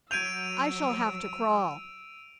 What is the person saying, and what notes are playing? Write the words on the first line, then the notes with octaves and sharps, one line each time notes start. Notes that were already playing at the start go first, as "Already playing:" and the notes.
I shall have to crawl.
F#3 E6 G6 G#6 D7 D#7 F7